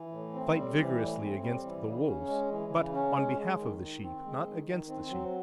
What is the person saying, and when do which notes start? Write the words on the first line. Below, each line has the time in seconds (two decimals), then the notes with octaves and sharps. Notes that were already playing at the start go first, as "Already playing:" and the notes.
Fight vigorously against the wolves, but on behalf of the sheep, not against the sheep.
Already playing: E3
0.12 A2
0.34 C4
0.55 G3
0.77 E3
0.98 A2
1.20 C4
1.42 G3
1.63 E3
1.85 C#3
2.06 C#4
2.28 G#3
2.51 E3
2.72 C#3
2.94 C#4
3.16 G#3
3.37 G#3
3.58 D#3
3.80 D#3
4.02 C4
4.24 G#3
4.46 D#3
4.67 D#3
4.89 C4
5.10 F#3